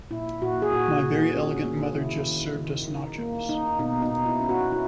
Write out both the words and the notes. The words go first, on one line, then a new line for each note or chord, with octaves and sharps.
My very elegant mother just served us nachos.
A#2 E4
A#2 F#4
G#4
A#2 F#4
A#2
C#4
A#3
D#3 E4
D#3
D#3
D#4
A#3
D#4
B2 D#4
D#4
B2
E4
C#4
F#4
C#4 E4